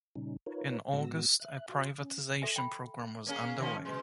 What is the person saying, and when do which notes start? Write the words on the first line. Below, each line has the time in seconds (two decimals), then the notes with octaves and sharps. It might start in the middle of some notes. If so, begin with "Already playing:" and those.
In August, a privatization program was underway.
0.16 A#2 C#3 G3 C#4 D#4
0.46 D#4 F4 A#4 B4 C#5
0.93 A2 G#3 B3 F#4 E6 A#6
1.40 E5 F#6
1.69 F#4 C6
2.00 C#4
2.42 A4 E5 G#5
2.56 G5 B5
3.27 A#3 C#4 G#4
3.59 D#3 F3 C#4
3.85 B2 G#3